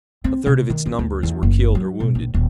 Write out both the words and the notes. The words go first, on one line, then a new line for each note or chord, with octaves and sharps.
A third of its numbers were killed or wounded.
C4
C3
D#3
C#4
D2
E2
F#1
F#3
B2
A#1
D#1